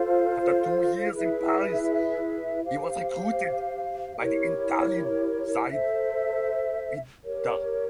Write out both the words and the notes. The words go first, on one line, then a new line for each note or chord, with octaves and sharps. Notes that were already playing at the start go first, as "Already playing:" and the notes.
After two years in Paris he was recruited by the Italian side Inter.
Already playing: F4 A4 C5 F5
E4 G#4 B4 E5
G4 C5 F5
E4 G4 A#4 C#5
A4 C5 E5
G4 A#4 C#5